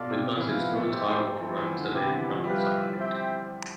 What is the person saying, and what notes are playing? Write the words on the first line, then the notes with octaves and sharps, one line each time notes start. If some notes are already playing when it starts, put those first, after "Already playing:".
Because its growth hormone runs away from sunlight.
Already playing: B2 F4 A4 D5 F5
C3
E3 E4 B4 F5
F3
B3
A3
C4 E4 G4 C5 G5
F3 C4 E4 A4 C5
E3
D3
C3 B3 E4 G4
D3
E3
F3
G3 E4 G4 B4 F5
C4 G4 C5 E5 G5